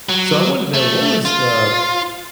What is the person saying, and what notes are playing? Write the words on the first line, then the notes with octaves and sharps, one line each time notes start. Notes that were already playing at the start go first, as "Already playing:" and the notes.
So I want to know what was the
F#3
A3
F4